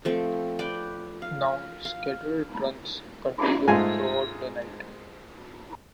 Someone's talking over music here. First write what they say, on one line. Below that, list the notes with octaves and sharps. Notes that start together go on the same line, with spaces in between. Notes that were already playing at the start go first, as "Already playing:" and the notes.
Now, scheduled runs continue throughout the night.
F3 A3 C4
B4 D5 G5
F5
F5
G#2 G#3 A3 F4 G#5